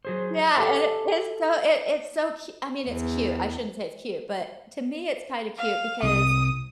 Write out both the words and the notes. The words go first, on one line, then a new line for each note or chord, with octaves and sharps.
yeah, and it is so it it's so cu I mean, it's cute, I shouldn't say it's cute, but to me, it's kinda cute because,
F#3 G#4 C5
G4 A4 C#5 E5 A5
E2
F5
C2 D#6